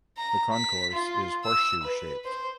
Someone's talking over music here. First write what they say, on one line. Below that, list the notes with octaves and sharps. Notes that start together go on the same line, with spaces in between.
The concourse is horseshoe-shaped.
A#5
B6
F4
E6
B4
C5